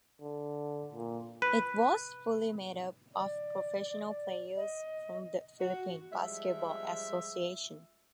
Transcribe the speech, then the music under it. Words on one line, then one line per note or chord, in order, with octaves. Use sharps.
It was fully made up of professional players from the Philippine Basketball Association.
D3
A#2
B4
D5
D5
D#5
F#4
F3 G3 G#3 E5